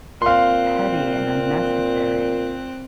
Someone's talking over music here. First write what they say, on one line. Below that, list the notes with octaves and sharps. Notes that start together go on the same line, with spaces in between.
petty and unnecessary.
A#2 C4 F5 C6 F#6